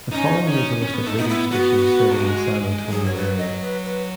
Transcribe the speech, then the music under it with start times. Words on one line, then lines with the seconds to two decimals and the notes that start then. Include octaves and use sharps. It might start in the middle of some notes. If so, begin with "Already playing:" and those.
The following is a list of radio stations serving the San Antonio area.
0.12 C#4 D#4
0.47 C#4 D#4
0.82 C#4
0.94 B3
1.06 A3 D#4
1.17 B3 D#4
1.29 E4
1.51 B3 F#4
2.10 A3
2.21 G#3
2.91 F#3 G#4
3.06 C#5
3.15 B4
3.38 D#5
3.62 B4
3.85 B4